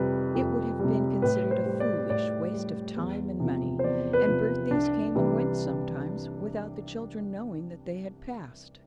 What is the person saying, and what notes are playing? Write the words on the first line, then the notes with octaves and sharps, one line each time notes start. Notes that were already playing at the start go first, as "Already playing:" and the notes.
It would have been considered a foolish waste of time and money, and birthdays came and went sometimes, without the children knowing that they had passed.
Already playing: F2 C3 G3 B4
F2
C3 G3
A2 B4
C5
G3
D5
A2 D5
G3
E2
C3 F3
C5
E2 D5
B4
C3 F3
C2 D4
C3 E3 G3